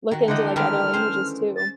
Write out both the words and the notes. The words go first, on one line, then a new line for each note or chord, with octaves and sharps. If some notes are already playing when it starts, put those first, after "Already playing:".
look into, like, other languages too.
D#3 F#4
D3 E3 A3 D#5
D#3 G3 G#3 F6
C#4 C5
A6